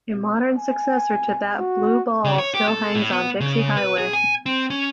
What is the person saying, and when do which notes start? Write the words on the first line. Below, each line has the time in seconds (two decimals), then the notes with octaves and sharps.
A modern successor to that blue ball still hangs on Dixie Highway.
0.59 G#5
1.59 F#4
2.24 C#3
2.39 C#5
2.54 G4
2.68 A4
2.95 A2
3.11 B3
3.40 C#3
3.77 B4
3.98 G#4
4.13 G#5
4.46 C4
4.70 C#4